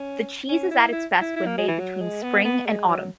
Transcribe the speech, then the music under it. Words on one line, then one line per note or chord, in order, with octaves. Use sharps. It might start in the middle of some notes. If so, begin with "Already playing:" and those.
The cheese is at its best when made between spring and autumn.
Already playing: C#4
C#4
E4
E4
E4
E4
A#3
G#3
E3
F#3
G#3
B3
B3
G#3
F#3